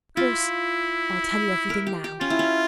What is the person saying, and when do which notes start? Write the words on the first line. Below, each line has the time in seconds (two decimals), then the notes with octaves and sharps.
Of course I'll tell you everything now.
0.17 E4 F4
1.70 A#4
1.87 G4
2.04 G4
2.21 C#4 F4
2.30 E4
2.39 C#4